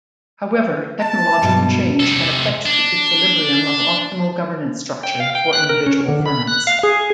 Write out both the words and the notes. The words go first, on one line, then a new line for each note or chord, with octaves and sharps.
However, technological change can affect the equilibrium of optimal governance structure for individual firms.
A5
G2 B2 F#3
C3 A4
D4
G5
F5
G5
F#6
A#4
C#4
D3
B5
F#6
F5
G#4